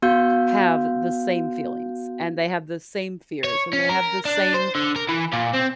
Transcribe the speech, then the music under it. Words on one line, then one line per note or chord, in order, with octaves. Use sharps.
have the same feelings, and they have the same fears, and they have the same
B3 F#4 F5 G6
C#5
C#4
A#4
D4
C5
D3
A#4
E3
A#2
C4